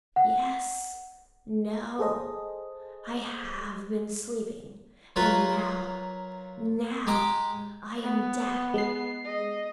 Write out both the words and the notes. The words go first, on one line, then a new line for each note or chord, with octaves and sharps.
"Yes;--no;--I have been sleeping--and now--now--I am dead."
F#5
G#4 A4 C5 D#5
F#3 F4 A#4 B4
G#3 G4 A#5 D6
B3
G#3 C7
D#5